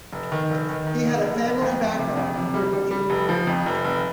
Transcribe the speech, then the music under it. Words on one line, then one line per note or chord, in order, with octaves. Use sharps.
He had a family background in horticulture.
F1
D#3
F1
D#3
D#3
F1
F1
F1
F2
F2
C3
F2
C3
G3
G3
G3
F1
F3
F2
F1
F1